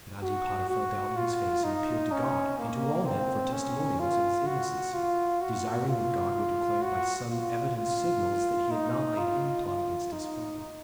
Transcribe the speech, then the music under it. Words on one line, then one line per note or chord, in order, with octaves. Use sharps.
But Antipater fell down on his face, and appealed to God and to all men for testimonials of his innocency, desiring that God would declare, by some evident signals, that he had not laid any plot against his father.
F#4
F#4
F4
D#4
C#4
A#3
C4
C#4
F4
F#4
F4
F#4
F4
F#4
F4
F4
D#4
F4
F4
D#4